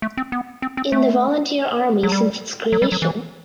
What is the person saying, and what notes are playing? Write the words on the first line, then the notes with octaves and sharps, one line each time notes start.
In the Volunteer Army since its creation.
A3
C4
B3
C4
C4
A3
F#3
G3
F#3
G3
F#3
E3